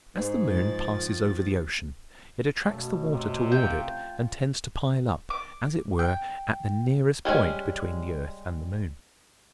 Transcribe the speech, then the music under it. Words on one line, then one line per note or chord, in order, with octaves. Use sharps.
As the moon passes over the ocean it attracts the water toward it and tends to pile up, as it were, at the nearest point between the earth and the moon.
G#2
D#3 F3 A6
F#2 B2 A3
C3
F4 G5
D6
G5
G3 G#3 C4 C#4